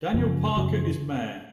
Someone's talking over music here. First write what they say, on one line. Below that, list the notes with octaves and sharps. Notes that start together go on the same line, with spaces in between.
Daniel Parker is Mayor.
F#2 C#3 F3
F#2 C#3 F#3
F3
E3